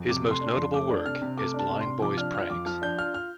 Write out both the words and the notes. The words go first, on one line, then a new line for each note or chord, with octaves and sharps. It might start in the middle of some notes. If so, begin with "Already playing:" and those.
His most notable work is "Blind Boy's Pranks".
Already playing: F2
C3 D6
A3
C6
D4
F2 C6
A3 D6
D4
C3 F6
C3
A3 D6
D4
A5
C3
C6
C3
F3 D6
D4 F6
F4 F6
F2 D6
F3 F6
D4 G6
F4 F6
F6